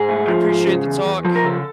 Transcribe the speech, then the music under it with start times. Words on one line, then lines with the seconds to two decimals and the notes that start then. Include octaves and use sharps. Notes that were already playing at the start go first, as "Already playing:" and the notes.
I appreciate the talk.
Already playing: G#2 G#4
0.09 A3
0.28 F3
0.47 G#2
0.67 C#3
0.86 E2
1.05 E2
1.25 F3 A4
1.36 A#4
1.44 C#3 A4